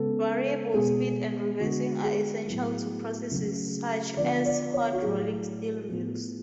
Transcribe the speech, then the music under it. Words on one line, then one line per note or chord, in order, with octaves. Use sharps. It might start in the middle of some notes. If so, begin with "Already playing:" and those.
Variable speed and reversing are essential to processes such as hot-rolling steel mills.
Already playing: C#3 G#3 B3 A4
B2 G#3 B3 G#4
D3 G#3 B3 F#4
G#4
A2 F#3 B3
C#3 F#3 A3
D3 F3 B3 D5
D5
C#5
F#4
A2 F#3 A3 G#4
A2 F3 B3